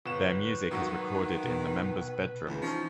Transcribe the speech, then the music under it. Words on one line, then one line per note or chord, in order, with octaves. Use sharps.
Their music is recorded in the members' bedrooms.
G1 B4 E7
G#1 D#3 F#3
B2
C#2 E3
F3 C#4 D#4